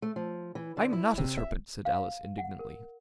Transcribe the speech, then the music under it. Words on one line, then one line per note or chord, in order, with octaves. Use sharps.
'I'm NOT a serpent!' said Alice indignantly.
A3
F3
E3
D3
E4
C3
E5
F5
F#5
A#4